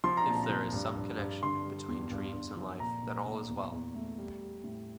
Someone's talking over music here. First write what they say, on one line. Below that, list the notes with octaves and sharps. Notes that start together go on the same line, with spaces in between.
If there is some connection between dreams and life then all is well.
F3 C6
A#5
A#2 A5
A#5
F3
G2
G2
G2
D3 C6
G3
E2
G2
G2
F3
A#2 A#5
A#2
A#2
E2
E2
A3
G3
G3
A2